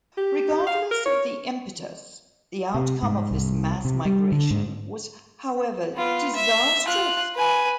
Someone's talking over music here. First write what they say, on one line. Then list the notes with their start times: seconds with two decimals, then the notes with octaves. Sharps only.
Regardless of the impetus, the outcome of this mass migration was, however, disastrous.
0.18 G4
0.67 F5
0.91 A#4
1.06 C#5
2.74 C3
3.03 G#2
3.31 C2
3.85 C3
4.05 G3
4.32 D3
4.51 G#2
5.95 B3 F4
6.35 E5
6.85 F4 F#6
7.36 B4 G#5